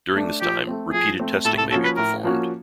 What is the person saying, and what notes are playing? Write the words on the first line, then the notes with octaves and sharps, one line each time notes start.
During this time, repeated testing may be performed.
A3 D4
F3 G4
A3 C4
F3 G#4
A3 C4
A2 A4
A4
F3 A#3 C#4 F#4 A4
B4
A2 A#4
F3 A#3 C#4 F#4